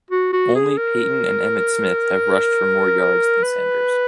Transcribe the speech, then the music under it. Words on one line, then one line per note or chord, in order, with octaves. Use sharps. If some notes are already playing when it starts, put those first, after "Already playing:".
Only Payton and Emmitt Smith have rushed for more yards than Sanders.
F#4
F#4
G#4
A#4
B4